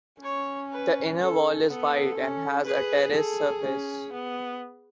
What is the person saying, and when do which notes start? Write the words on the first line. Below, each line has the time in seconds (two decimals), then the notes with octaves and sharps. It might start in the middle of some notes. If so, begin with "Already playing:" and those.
The inner wall is wide and has a terraced surface.
0.22 C#4 C#5
0.72 B4
1.20 A4
1.68 B3 A4
2.18 C#4
2.66 G#4 B4
3.14 A4
3.63 C#4
4.13 B3